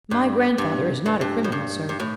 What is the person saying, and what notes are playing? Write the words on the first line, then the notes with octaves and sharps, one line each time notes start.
"My grandfather is not a criminal, sir."
G2
G2
G2
G2
A2
G2
G2
A2